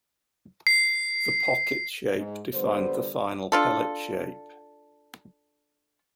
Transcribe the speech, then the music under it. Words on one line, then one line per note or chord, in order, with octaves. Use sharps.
The pocket shape defined the final pellet shape.
C7
G#2
D3 G3 B3 C5
D4 F4 A4